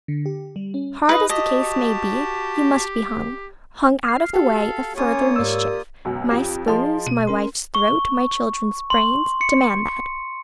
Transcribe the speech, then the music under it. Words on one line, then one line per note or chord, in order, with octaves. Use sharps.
Hard as the case may be, you must be hung; hung out of the way of further mischief; my spoons, my wife's throat, my children's brains, demand that.
D3
G4
G3
C#4
D#4 B4 D#5
F#4 G4 D#5 A5
F6 C7
F#4 G4 A4 F5
A#3 C#4 F4 C#5 G#5 C#6 D#6
G#2 G4 A#4 D5 E6
C#2 F#2 B2
F2 F4 G4
F3 G#4 D#5 A5 C6
B2 D#7
C#4 A#4 C6
C#6
C6
C#7